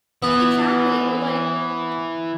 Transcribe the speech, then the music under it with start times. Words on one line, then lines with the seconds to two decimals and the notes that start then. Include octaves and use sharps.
Exactly, or, like
0.23 E3 B3